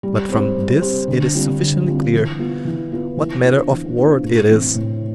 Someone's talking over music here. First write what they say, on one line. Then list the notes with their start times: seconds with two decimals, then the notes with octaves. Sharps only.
But from this it is sufficiently clear what manner of world it is.
0.03 G3
0.29 C4 G4 C5
0.56 G3
0.82 C4 G4 C5
1.08 D3
1.34 G3 C4 F4
1.61 D3
1.87 G3 C4 F4
2.13 E3
2.39 B3 F4 B4
2.65 E3
2.92 B3 F4 B4
3.17 E3
3.43 B3 D4 F4 C5
3.70 E3
3.97 B3 D4 F4 C5
4.23 A2
4.49 E3 A3 C4 E4
4.75 A2